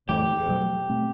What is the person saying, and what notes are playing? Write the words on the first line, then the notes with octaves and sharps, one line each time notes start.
Oh, yep.
A2 E3 A3 G4
B2 F#3 A3
B2 A3 C4